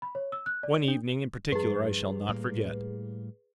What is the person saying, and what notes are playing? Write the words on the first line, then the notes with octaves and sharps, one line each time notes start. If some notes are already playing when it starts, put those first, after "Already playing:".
One evening in particular I shall not forget.
B5
C#5
E6
F#6
D5
D4
G2 F3 G#4 B4
A2 G3 A#3